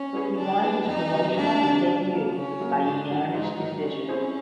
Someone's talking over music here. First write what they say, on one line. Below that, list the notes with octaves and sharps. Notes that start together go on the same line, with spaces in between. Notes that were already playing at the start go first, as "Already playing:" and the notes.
He won his promotional debut by unanimous decision.
Already playing: C#4
G3 B3 E4 G#4
D3 D4
G3 B3 E4 G#4
F2 D#4
C3 D#3 F#3
F2 D4
C3 D#3 F#3
C#3
F#3 A#3
C#3 C#4
F#3 A#3
G#2 D4
D#3 F#3
G#2 D#4
D#3 F#3
G3 C#4
C4 E4 G#4 C5